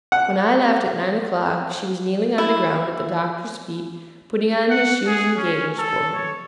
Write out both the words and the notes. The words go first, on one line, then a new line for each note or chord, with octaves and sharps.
When I left, at nine o'clock, she was kneeling on the ground at the Doctor's feet, putting on his shoes and gaiters for him.
F#5
E4
F#5
G#4
C#4
A4
C#5